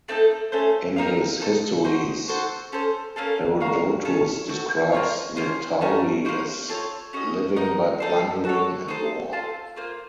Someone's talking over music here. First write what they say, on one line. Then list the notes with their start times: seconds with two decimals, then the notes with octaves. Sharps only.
In his "Histories", Herodotus describes the Tauri as living "by plundering and war".
0.08 A3 C4 D#4 A4
0.52 A3 C#4 A4 C5
0.96 C4 D#4 A#4 F5
1.40 D#4 A4 C5 D#5
1.84 D#4 F#4 C5 D#5
2.28 F#4 A4 C5 F#5
2.72 C#4 A4 C5
3.16 A#3 C#4 F4 A4
3.60 F#4 A#4 F5
4.05 C#4 A4 C#5
4.48 C4 F#4 A4
4.92 A#3 F4 A4 C#5
5.36 A#3 C#4 F4 C5
5.81 A3 C#4 F#4 A#4
6.25 D#4 F#4 C5 F5
6.68 C4 F4 A4 C#5
7.13 C#4 F#4 A4 D#5
7.56 D#4 A#4 D#5 F#5
8.00 D#4 A4 C5
8.45 F#4 A4 C#5
8.88 D#4 A4 C5
9.33 F4 A4 C5
9.76 A#3 F4 C5